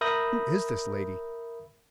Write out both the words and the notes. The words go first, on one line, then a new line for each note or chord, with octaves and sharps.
Who is this lady?
A#4 E5 B5 D#6 G6 A#6